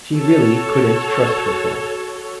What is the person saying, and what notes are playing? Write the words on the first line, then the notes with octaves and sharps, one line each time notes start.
She really couldn't trust herself.
F#4 A4 C#5